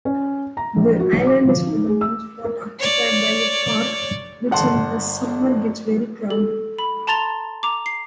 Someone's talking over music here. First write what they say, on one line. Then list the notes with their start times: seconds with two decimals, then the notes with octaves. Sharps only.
The island is for the most part occupied by a park which in the summer gets very crowded.
0.05 C#4
0.57 A#5
0.76 A#1
1.00 F#4
1.13 B1
1.27 D6
1.47 F3
1.67 D#4
1.88 G#4
2.01 E6
2.44 A#4
2.80 C#5 D5
4.51 G1 F#5 A5 C6
6.30 A4
6.79 B5
7.07 A5 A#5 C6 A6 F7 G7
7.63 A#5 D6
7.86 C7